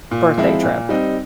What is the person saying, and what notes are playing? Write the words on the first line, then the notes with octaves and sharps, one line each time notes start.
birthday trip
A#2
F3 G#3 C4 E4
A#2
G3 C4 D#4